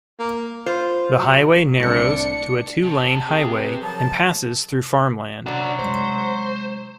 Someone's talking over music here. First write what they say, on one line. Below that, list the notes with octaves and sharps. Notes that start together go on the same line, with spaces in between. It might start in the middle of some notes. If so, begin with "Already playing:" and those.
The highway narrows to a two-lane highway and passes through farmland.
A#3
F4 C5
F#3
C2 A2 D4 C#7
C3 A5
G4 G#4
B4
F#2 F3 F#3 A5
C3 F#3 D4 F#4
C3 G#3 C5